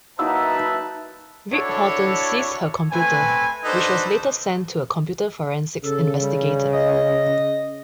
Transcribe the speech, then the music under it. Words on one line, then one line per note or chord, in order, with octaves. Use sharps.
Rick Horton seized her computer which was later sent to a computer forensics investigator.
F#3 A#3 D#4 E4 B4 E5 A5 E6
D4 E4 F#4 A4 C#5
A3 C4 B4 G#5
D4 D#4 F#4 A4 B4 C5
C#3 A4
G3
D#5